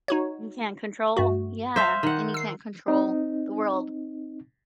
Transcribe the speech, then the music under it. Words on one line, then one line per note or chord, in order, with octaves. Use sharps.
You can't control? Yeah, and you can't control the world.
D#4 F#4 C#5
G2 A3 F#4
C5 E5 F5
D#3 F#5
E6 C7
C4 D#4